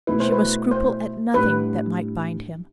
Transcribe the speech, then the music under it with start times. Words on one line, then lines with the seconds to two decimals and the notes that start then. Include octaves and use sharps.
She must scruple at nothing that might bind him.
0.07 B2 A3 E4 B4
0.20 C5
0.32 B4
0.71 C5
1.34 A2 G3 D4 B4